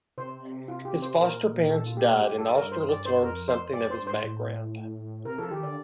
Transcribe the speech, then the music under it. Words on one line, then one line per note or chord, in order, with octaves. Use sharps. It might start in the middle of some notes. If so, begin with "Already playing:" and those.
His foster parents died, and Austerlitz learned something of his background.
C3 C5
F4
G4
C5
A#2 A#4
A4
F4
G4
F4
G2 G4
A4
A#4
C5
D5
C5
F2 A#4
C5
G2 D5
F2 C5
G2
A2 C5
A2
C3 A#4
F3 A4
D#3 G4
D3 D5